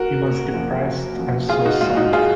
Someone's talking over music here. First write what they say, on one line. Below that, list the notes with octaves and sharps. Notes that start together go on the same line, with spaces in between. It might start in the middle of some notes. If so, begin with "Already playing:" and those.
He was depressed and suicidal.
Already playing: F#4 A#4
F#1
F#2 F3 A#3
F#1
F#2 F3 A#3
G#1 F4 G#4
D#4 F#4
G#2 F#3 F4
D#4 F#4
F4 G#4